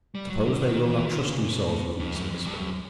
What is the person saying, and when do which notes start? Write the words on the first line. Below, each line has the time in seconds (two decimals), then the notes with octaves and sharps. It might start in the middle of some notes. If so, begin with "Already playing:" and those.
"Suppose they will not trust themselves with me?" said the spirit.
0.15 G3
0.30 F#3
0.46 D3
0.61 D#3
0.83 E3
1.07 D#3
1.18 D3
1.30 C#3
1.42 A#2
1.53 B2
1.69 A2
1.99 F2
2.15 F#2
2.31 F2
2.45 G2
2.57 F#2